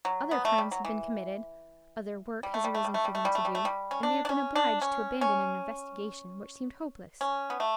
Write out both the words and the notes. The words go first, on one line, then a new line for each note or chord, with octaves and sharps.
Other crimes have been committed, other work has arisen for them to do, and they have been obliged to abandon an investigation which seemed hopeless.
F#3
B3
A3
G3
F#3
E3
G3
A3
G3
A3
G3
A3
G3
A3
G3
A3
G3
A3
G3
C#4
D4
D4
C#4
D4
C#4
C#4
C#4
B3
A3